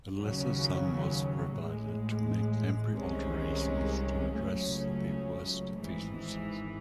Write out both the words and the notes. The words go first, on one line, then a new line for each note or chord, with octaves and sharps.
A lesser sum was provided to make temporary alterations to address the worst deficiencies.
D#2 C#3 F#3 C#4
A1 A2 G#3
C2 C3 D#3 G#3 C#4
C#2 C#3 F#3 A3 C#4
G#1 G#2 E3